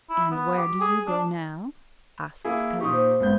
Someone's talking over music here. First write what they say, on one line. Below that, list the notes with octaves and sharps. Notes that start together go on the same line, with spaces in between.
"And where do you go now?" asked the Caliph.
E4
B3
G4
G#4
D4
A#3 E4 G#4
A#2 D#4 G4 C#6 D#6
C5
G#1 G#3 B3 G6